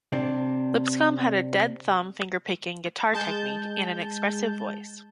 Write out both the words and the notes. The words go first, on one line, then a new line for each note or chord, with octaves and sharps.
Lipscomb had a "dead-thumb" finger-picking guitar technique and an expressive voice.
C3 C4 D4
G#3 A5 G6